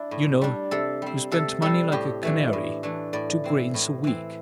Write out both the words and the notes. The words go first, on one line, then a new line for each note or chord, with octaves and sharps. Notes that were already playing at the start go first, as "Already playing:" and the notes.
You know, you spend money like a canary, two grains a week.
Already playing: D4 E4
A2
G3 D4
C3 A4
G3 C4
C3 A4
G3 C4 A4
A2 G4
E3 A3 D4
A2
E3 A3 D4
A2 D5
E3 C4
A2
E3 C4